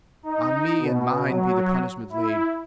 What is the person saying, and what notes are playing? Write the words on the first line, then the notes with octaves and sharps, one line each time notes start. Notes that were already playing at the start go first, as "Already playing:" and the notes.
On me and mine be the punishment laid.
D#4
B2
F#3
E4